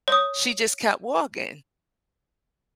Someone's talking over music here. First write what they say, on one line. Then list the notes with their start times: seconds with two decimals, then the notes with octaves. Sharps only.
she just kept walking,
0.08 C#5 D#6